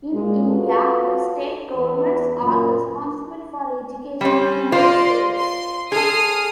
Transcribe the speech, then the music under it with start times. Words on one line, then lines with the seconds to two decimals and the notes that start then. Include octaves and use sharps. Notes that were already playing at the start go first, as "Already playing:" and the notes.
In India, the state governments are responsible for education in their states.
0.13 A#2 G#3
0.49 F4 F#4 A4 B4
1.76 E2 B4
2.41 F#2 A#2
4.21 G3 C4 C#4
4.72 F4 C5 D5 D#5 F5 C6
5.37 C6
5.92 G#4 A4 D#6 F6 C7